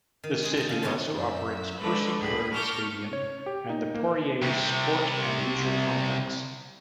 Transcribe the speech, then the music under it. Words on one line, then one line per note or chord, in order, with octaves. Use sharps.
The city also operates Percy Perry Stadium and the Poirier Sport and Leisure Complex.
D#3
G#3 G#4
D#4 A4
C#3 F3
B2 G3 B3 F#4 G#4 C6
F#2 E5
D3 G#3 A3 B4
D2 A2 G#4 B5
A5 C#6 D6 F6 G6 A#6
C#5
G4
D#4
A#3
C2 C3